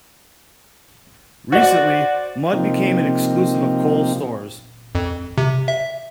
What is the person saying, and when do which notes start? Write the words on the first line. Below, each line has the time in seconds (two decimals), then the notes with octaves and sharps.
Recently, Mudd became an exclusive of Kohl's stores.
1.52 F#4 C5 D5
2.53 C3 F3 A#3 C4 D#4
4.95 F2
5.38 C3
5.68 E5